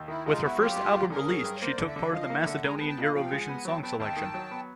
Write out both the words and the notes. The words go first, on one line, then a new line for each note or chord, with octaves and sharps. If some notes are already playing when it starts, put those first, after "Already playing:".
With her first album released, she took part in the Macedonian Eurovision song selection.
Already playing: D#2
D#3 E4
G#3 D#4 F4
B3 E4 F#4
F#3 F4 G4
G2
G2
D3 G#4 A#4
F#3
G2
C#5
A#3 C5 D5
D3
D5 E5
D3
F3 D#5 F5
A#3
E5 F#5
D3
G#3 G#5 A#5
G5 A5
B3
G5 A5
A#2 D#5 F5
F3 F5 G5
G#3
F#5 G#5
B3
F#3 G5 A5
B3 G5 A5
D#2 G5 A5
D#3
F#3
B3